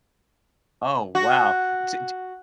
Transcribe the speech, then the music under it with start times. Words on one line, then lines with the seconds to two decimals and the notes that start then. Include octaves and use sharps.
Oh, wow, di di
1.15 F#4